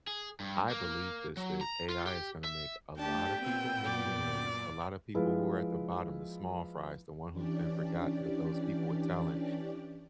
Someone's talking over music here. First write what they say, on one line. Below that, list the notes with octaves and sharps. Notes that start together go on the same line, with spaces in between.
I believe this, that AI is gonna make a lotta people millionaires, a lotta people who are at the bottom, the small fries, the one who've been forgotten, but those people with talent
G#4
G2
A#3
F#3
A#5
F4
G4
E5
A3 D4 G4 G5 A5
A#2 B3 C4 E6 D#7
F#2 A#2 D5
F3 G#3 E4 F4 B4
E3 C#4 D4 G4 D5